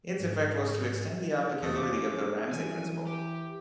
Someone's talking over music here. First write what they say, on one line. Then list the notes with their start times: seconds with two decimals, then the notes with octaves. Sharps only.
Its effect was to extend the applicability of The Ramsay Principle.
0.19 G#2
1.62 E2 A3 C4 A4 D#5
1.77 C#4 F4 D6
2.51 E3 G#5
3.07 G4